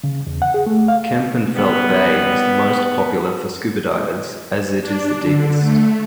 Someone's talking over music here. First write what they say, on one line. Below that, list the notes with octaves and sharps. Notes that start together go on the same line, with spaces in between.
Kempenfelt Bay is the most popular for scuba divers as it is the deepest.
C#3
E2
F#5
G#4
A3
F5
G3 B3
D4
D3
A3